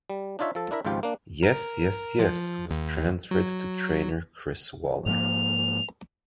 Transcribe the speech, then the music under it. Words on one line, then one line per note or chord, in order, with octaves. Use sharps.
Yes Yes Yes was transferred to trainer Chris Waller.
G3
D4 D#4 F4 C#5 E5
F3 A4
D4 E4 A#4 E5
G#1 C#2 G#2 F3 F4 G4
A#3 D4
A#4
F3
D#2
F#3
G#2 F3 A#3 F7